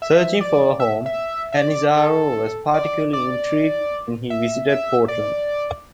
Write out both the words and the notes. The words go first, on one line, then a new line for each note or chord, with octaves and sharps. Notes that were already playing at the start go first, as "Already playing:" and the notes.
Searching for a home, Canizaro was particularly intrigued when he visited Portland.
E5
D5
E5
E5
E5
D5
A4
D5
D5
E5
E5
D5